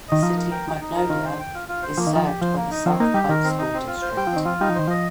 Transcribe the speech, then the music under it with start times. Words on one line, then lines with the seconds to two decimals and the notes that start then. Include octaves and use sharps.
The City of Magnolia is served by the South Pike School District.
0.08 D#3 D#5
0.22 F3 D#4
0.37 A#4
0.51 G5
0.67 D#4
0.80 D#4
0.96 A#4
1.10 D#3 F4
1.25 C5
1.39 G5
1.54 F4
1.68 F4
1.83 C5
1.98 F3 A#3
2.07 D#3
2.12 F3 D#4
2.26 G4
2.42 F3 C5
2.56 A#3
2.71 D#4
2.85 F3 C4
3.00 A#3 D#4
3.14 G3 G4
3.29 D#3 A#4
3.44 C4
3.59 D#4
3.74 C4
3.87 F4
4.02 C5
4.17 G3 G5
4.27 F3
4.32 D#3 C4
4.45 F3 F4
4.61 G3 D#4
4.70 F3
4.75 D#3 C5
4.88 F3 D#5